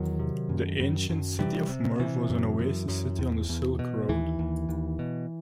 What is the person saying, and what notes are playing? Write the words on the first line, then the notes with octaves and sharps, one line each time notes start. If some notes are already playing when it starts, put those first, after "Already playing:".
The ancient city of Merv was an oasis city on the Silk Road.
Already playing: E2 D#3 F#3
C3
F#2
F#2
F#2
C3 E3 G3
C3
C3 E3
F#2
F#2
F#2
E2
E2
B2
D#2 E3
D#2
D#2
B2